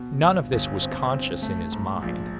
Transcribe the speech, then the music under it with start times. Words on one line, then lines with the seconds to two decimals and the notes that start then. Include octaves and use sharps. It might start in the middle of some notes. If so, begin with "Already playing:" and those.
None of this was conscious in his mind.
Already playing: B2
0.23 G1
0.53 G1
0.82 C4
1.12 C4
1.42 A3
1.72 G#2
2.02 A#1